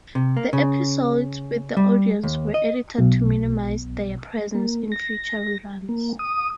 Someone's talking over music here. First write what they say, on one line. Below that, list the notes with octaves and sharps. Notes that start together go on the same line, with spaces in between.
The episodes with the audience were edited to minimize their presence in future reruns.
C3
A#3
C#3
G3
D#2
D#5
B1 B2
A#3
A#6
A#3
D#6